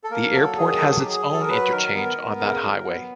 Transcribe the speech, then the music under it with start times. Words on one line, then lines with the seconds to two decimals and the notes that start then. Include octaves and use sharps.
The airport has its own interchange on that highway.
0.04 A4
0.11 A#3 A#4
0.34 F#3 A4
0.57 D#3 G#4
0.80 F#3 A4
0.90 G#4
0.98 G4
1.03 F#3
1.08 G#4
1.26 F#3
1.33 A4
1.41 A#4
1.48 F#3 B4
1.72 D#3 A#4
1.94 B3 A#4
2.17 B3
2.40 C#3
2.62 F#3
2.85 B3